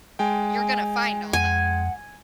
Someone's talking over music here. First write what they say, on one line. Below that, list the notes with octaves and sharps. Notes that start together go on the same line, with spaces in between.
you're gonna find all that.
G#3 G5 G#5
F2 F#5 G#5